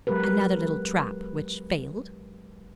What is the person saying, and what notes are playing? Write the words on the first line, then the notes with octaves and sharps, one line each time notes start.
Another little trap which failed.
F#3 G#3 G4 A#4 B4